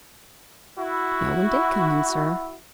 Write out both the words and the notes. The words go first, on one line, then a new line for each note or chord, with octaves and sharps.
"No one did come in, sir."
E4 F#4